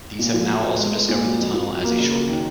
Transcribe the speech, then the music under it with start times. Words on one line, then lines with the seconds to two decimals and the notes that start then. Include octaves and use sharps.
These have now also discovered the tunnel as a "shortcut".
0.19 A#2
0.34 F3
0.49 F#3
0.64 B3
0.78 G#3
0.94 B3
1.09 A#2
1.24 F#3
1.39 F2
1.54 F3
1.70 F#3
1.84 A#3
1.99 C#3
2.14 F#3
2.29 D#3